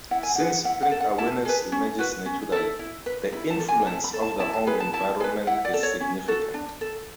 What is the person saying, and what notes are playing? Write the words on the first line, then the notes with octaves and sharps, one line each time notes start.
Since print awareness emerges naturally, the influence of the home environment is significant.
E4 F#5
G#5
G#4 B4 F#5
E4 F#5
F#5
A4
F#5
E4 A5
G#4 B4
C#4
F#4 B4
C#4
E4 A4
E4
B4
E4 B5
A5
A4
G#5
E4 A5
B5
A4
A5
E4 A5
A5
G#4 B4 B5
A5
E4 A5
G#4 B4
E4 F#5
D5
A4
C#5
C#4
F#4 A4
D4
A4